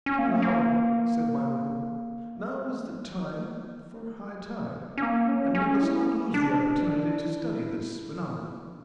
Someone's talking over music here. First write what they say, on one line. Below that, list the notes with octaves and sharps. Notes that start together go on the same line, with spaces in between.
"Now," said my uncle, "now is the time for high tide, and we must not lose the opportunity to study this phenomenon."
C#4
A#3
A3
A#3
A3
G3
E3
F3
A3
G3
F3
C#4
A#3
C#4
C#4
E4
D4
E4
D4